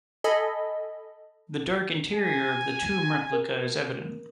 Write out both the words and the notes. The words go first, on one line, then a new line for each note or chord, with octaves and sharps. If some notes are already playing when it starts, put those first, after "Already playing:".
The dark interior of the tomb replica is evident.
A4 D#5 G#5 B5
G#5
A#4